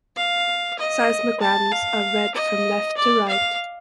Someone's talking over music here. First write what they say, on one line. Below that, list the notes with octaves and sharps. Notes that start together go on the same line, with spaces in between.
Seismograms are read from left to right.
F5
D#5
A5
F5
D#5
D5
F5